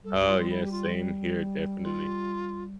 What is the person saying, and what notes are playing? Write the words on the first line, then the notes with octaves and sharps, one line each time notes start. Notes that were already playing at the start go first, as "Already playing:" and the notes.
Oh, yeah, same here, definitely.
G3 A4
G4
F4
F4
E4
G4
F4
F4